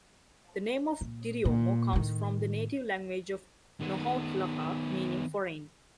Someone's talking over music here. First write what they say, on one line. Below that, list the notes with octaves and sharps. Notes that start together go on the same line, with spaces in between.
The name of Diriomo comes from the native language of Nahuatlaca, meaning foreign.
A#2
A#2
A2 D#3
D#3 B3